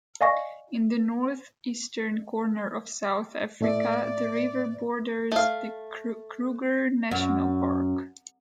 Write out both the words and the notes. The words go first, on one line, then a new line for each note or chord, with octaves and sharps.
In the north-eastern corner of South Africa the river borders the Kruger National Park.
D5 D#5 F5 G#5 C#6 A#6
A2 A3 D5 E5
A3 F5
F#2